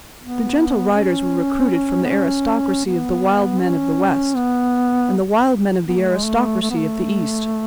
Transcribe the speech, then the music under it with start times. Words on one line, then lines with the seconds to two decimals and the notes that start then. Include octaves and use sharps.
The Gentle Riders were recruited from the aristocracy of the wild men of the West and the wild men of the aristocracy of the East.
0.21 B3
0.96 C#4
2.05 B3
2.10 C#4
2.85 B3
3.60 C#4
4.36 B3
5.87 B3
5.99 A3
6.12 G#3
6.25 A3
6.62 A3
6.70 B3
6.78 A3